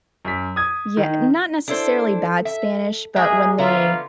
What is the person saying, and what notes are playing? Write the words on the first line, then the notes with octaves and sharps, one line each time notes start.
Yeah, not necessarily bad Spanish, but when they
F#2 B6
D#6 G#6
D#3
D4 E4 A4 C5
E5
G#3 A#3 G#4 A#4 E5
D3 B3 F4 E5 A#5